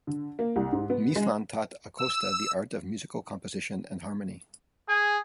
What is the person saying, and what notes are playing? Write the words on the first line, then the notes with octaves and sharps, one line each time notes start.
Mislan taught Acosta the art of musical composition and harmony.
D3
A#3
C2
G#2
B3
G#3
E6
G#4 G#5